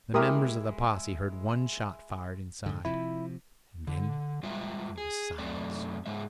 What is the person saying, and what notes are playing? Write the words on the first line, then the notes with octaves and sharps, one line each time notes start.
The members of the posse heard one shot fired inside, and then there was silence.
G#3 E4 G4 A#4 D#6
G#2 D3
C3 F3 E4
D3
G3 G#3 F4 E5 G5
G#4
F#2 A3 C4 D5
G#2 G#3 E5